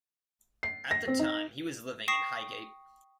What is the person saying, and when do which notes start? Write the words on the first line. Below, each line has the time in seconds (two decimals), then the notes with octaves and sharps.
At the time he was living in Highgate.
0.63 C7
0.91 A#6
1.08 C4
1.19 D#4
2.08 G5 C#6 D#6 A#6 C7 E7